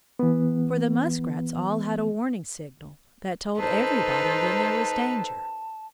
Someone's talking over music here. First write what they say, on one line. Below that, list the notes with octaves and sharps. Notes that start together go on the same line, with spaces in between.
For the Muskrats all had a warning signal that told everybody when there was danger.
E3 B3
D#4 A4 B4 C5 A5